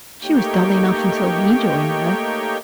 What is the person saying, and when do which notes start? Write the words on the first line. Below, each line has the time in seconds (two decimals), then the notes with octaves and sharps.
She was dull enough until he joined her.
0.22 A3 A#3 D#4 G4 C#5 G5